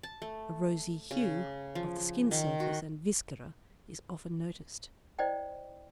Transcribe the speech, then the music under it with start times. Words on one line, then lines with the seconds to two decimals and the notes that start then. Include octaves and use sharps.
A rosy hue of the skin-surface and viscera is often noticed.
0.03 A5
0.22 A3
1.11 C#3
1.75 F3
2.31 D#3
2.60 F#4
5.19 E4 C5 D5 D#5 G5